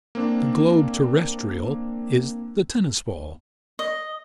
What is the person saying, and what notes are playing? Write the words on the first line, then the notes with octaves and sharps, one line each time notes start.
The globe terrestrial is the tennis-ball.
A#3 C4 D4
D#5